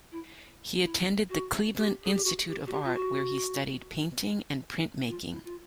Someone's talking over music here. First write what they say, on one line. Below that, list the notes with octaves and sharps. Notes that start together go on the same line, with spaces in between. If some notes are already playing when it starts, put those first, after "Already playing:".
He attended the Cleveland Institute of Art, where he studied painting and printmaking.
E4
E4
F#4
G4
G#4
G4
F#4
G4
F#4
G4
F4
F#4
F4
E4
F4